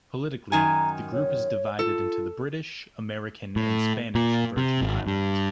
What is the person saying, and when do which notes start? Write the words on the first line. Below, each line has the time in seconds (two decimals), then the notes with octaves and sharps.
Politically, the group is divided into the British, American, and Spanish Virgin Islands.
0.52 F#2 D#3 G#5 A#5
1.13 C#5
1.79 F4 A4
3.56 A2
4.15 A#2
4.57 C3
4.82 G#1
5.07 G2